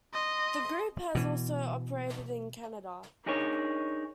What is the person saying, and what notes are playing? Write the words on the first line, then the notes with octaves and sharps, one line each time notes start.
The group has also operated in Canada.
D#5 C6
B2 E3
D4 D#4 G#4 A#4 C#5